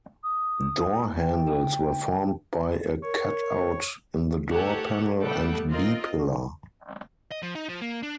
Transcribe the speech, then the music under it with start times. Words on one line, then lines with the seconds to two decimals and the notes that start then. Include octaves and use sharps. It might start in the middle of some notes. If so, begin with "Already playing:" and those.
Door handles were formed by a cut-out in the door panel and B-pillar.
0.23 D#6
1.20 G5
3.03 A#4 C#5
4.50 A3 G4 A4 C#5 F#5
5.20 G3 A3 B3 A4 F#5 G5
5.69 C4 F4 A#4 D#5
7.31 D#5
7.42 F3
7.55 D#4
7.69 F3
7.82 A#3
8.03 D4